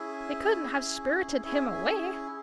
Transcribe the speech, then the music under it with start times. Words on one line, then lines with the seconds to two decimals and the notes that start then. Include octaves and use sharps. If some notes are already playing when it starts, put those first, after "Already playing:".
"They couldn't have spirited him away."
Already playing: C#4 E4 G#4 E5 G#5
0.62 C#4 E4 G#4
1.44 C#4 E4 G#4 E5 G#5
1.73 E5 G#5